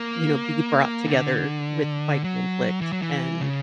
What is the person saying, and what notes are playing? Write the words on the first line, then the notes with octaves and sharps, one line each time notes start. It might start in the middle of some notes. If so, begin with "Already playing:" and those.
you know, be brought together with by conflict. And,
Already playing: A#3
D3
F#3
E3
F#3
E3
C#3